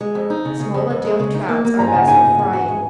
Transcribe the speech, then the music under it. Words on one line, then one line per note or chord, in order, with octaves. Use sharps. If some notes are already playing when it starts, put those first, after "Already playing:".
Small and young trouts are best for frying.
G#3
F2
D#4
C#3
C#3
F2
F2
G#3
C#3
D#4
A#3
A#3
F3 A#5
G#5
C#3 F#5
D#4 G#5
C#3
C#4
F#4
G#3